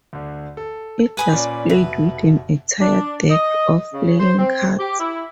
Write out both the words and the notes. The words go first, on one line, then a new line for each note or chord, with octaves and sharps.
It was played with an entire deck of playing cards.
D2 D3
A4
B4 G#5 D#6 D#7 F#7
A#2 C#4 D5
F1 B2 B4 E5
D4
D#5
C#3
C5
C4
G4
E4